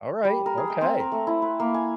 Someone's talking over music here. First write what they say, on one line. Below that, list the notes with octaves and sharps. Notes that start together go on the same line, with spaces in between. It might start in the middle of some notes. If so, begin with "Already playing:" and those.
Alright, okay.
G3
A#4
G#4
G5
C4
A#4
A3
E4
B4
A#3
G#5